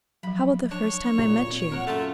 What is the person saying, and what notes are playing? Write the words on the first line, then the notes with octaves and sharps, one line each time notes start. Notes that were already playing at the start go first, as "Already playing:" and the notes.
How about the first time I met you?
F3 F#3 B5
D4 C#5
A#2
C4
C4 A#4 F#5
F#2 A3 F4 A5